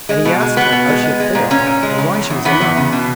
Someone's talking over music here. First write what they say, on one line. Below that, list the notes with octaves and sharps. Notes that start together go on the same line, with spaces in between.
And he asked her how she had fared, and why she was a nun.
G#3
B2
G#3
B2 B3
B2
G#3
G#3
G#3
A#2
A#2 C#4
A#2
G#3
C#3
E2
E2
E2 B3
E2
C#3
B2